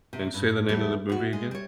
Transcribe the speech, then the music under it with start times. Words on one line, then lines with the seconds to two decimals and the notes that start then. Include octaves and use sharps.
And say the name of the movie again.
0.13 C3
0.34 G2
0.69 E2 G3 A3
1.09 E2 F#4
1.33 G#3
1.51 G3 C#5